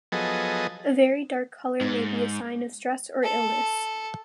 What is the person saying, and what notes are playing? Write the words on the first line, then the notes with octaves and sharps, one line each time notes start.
A very dark color may be a sign of stress or illness.
F3 F#3 B3 G#4 A4 D#5
G#2
A4